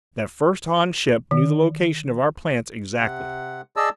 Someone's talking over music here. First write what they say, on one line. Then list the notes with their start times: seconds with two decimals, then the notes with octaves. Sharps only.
That first Han ship knew the location of our plants exactly.
1.31 D#3
2.99 C3 F#5
3.76 G#4 D5 D#5 A5 E6